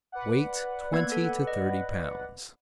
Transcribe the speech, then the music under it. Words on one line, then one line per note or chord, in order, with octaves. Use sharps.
Weight twenty to thirty pounds.
B4 D5 F#5
A#3 B3 G#6
A4
D#5